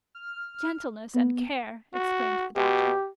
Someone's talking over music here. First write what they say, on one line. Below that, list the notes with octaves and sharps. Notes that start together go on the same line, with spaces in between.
'Gentleness and care,' exclaimed the doctor.
F6
B3
F#4
B2 G4